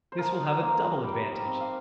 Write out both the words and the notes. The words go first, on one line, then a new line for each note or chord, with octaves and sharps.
This will have a double advantage.
C5
F3 A#4
D#4
A#3
F3
G3 G5
D#4
G5
C4
F5